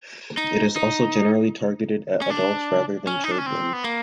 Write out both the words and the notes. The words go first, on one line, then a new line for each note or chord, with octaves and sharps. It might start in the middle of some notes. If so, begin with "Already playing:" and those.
It is also generally targeted at adults, rather than children.
D#4
D#4
C#4
D4
C#4
D#4
D4
C#4
C4
B3
A#3